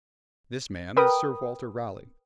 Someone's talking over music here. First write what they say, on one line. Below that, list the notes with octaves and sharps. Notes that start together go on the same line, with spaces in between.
This man is Sir Walter Raleigh.
A#4 B4 G5 B5 D#6